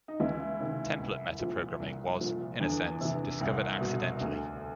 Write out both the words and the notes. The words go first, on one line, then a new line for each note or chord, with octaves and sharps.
Template metaprogramming was, in a sense, discovered accidentally.
D#4
C#2 E3 E4
C3 D#3
C2
A#2 F3
C2
A#2 F3
E2 D3 D4
C3 E3
C2
B2
D2